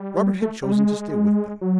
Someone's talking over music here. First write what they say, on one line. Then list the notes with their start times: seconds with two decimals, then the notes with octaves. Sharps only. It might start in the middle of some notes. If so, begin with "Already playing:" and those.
Robert had chosen to stay with them.
Already playing: G3
0.42 A3
0.62 G3
0.72 G#3
1.61 F#3